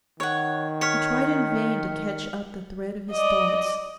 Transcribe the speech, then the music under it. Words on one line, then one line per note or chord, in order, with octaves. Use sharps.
He tried in vain to catch up the thread of his thoughts.
D#3 C#5 F#5
C#5 F6 B6 C#7
D5 D#5